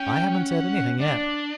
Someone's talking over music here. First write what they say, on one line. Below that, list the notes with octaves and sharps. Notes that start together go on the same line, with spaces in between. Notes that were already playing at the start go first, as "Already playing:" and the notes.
"I haven't said anything yet."
Already playing: C#4 G5
F#5
D4 D5